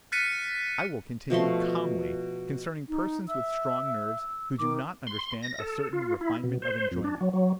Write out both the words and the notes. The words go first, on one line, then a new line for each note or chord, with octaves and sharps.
I will continue calmly concerning persons with strong nerves who do not understand a certain refinement of enjoyment.
F6 F#6 A6 B6 C#7 D#7
B2 F3 A3 C6
D#4
E5 E6
D#3 D6
C6
A#6
A4
F4
E4
B2
C5
F2
D4
F#3
F#3